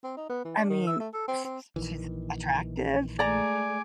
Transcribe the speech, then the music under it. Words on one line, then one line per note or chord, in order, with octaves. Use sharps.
I mean, sh sh she's attractive,
C4
D#4
B3
E3
D4
D#3
E5
A3
A4
C4
C4
A#1 D#3 E3
G#3 A3 D5 G#5 A#5 D6